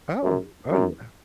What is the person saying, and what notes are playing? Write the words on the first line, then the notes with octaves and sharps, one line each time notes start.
Oh, oh, yeah.
F#2
F#2